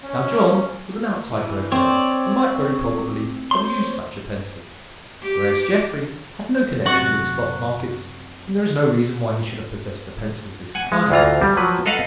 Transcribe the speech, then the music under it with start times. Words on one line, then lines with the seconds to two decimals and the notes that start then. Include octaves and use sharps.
Now John was an outside broker and might very probably have used such a pencil, whereas Jeffrey had no connection with the stock markets and there is no reason why he should have possessed a pencil of this kind.
0.03 C#4
1.32 E3
1.72 C4 C#5 D5
3.51 C5 C#5 C6
5.23 G4
6.86 F#2 C3 F#4 C#6 F#6 A6
10.75 F#5 G#5
10.92 G#3
11.10 D2 E3 F4 A#5
11.42 G3
11.57 F3 F#3 B4
11.86 A4 B4 D#5 F5 F#5